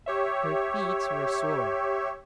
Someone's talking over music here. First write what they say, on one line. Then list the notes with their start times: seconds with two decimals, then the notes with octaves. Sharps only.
Her feet were sore.
0.06 G4 C#5 E5